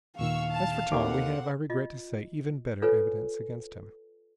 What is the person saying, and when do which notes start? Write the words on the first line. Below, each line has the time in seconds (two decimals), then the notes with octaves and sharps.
"As for Tom, we have, I regret to say, even better evidence against him."
0.19 D#2 A#2 D#3 F5 C#6 E6
0.52 A5
0.92 D#2 C4 A4 F#5 D6
1.70 F4 D#5
2.82 F4 A4 B4 C#5 G#5